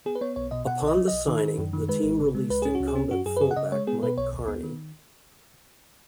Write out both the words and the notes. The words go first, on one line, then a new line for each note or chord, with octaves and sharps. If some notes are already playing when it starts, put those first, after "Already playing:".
Upon the signing, the team released incumbent fullback Mike Karney.
B3 G#4
B4
B3 C#5
B1 C#5
B2 D#5
B2 F#5
B1
D#5
F#3
B1 D#5
D#3
D#3
F#2
D#3
G#3 B4
G#1
C#3
G#3
C#2 B4
C#4 G#4
F#4
C#2
G#4
C#4
F#2 F#4
F#2 G#4
B4
C#3 G#4
F#5
C#3 D#5
G#3 C#5
B3 G#4
B2 B4
B1 C#5
D#2
B3
D#3